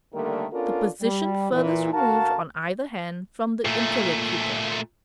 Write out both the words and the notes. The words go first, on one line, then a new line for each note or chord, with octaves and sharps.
The position farthest removed on either hand from the Interlocutor.
D3 D#3 G3 A3 A#3 A#4
B3 C#4 D4 F4 A4 A#4
G3
A#2 E3
D3 F#4 A#4 F5 A5
A#2 A3